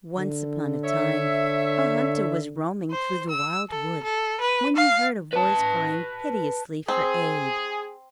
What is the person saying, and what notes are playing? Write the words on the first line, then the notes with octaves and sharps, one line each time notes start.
Once upon a time a hunter was roaming through the wildwood when he heard a voice crying piteously for aid.
D3
C#5 E5
C5
E6
A4
A4
B4
F5
B4 A5
C4 G#4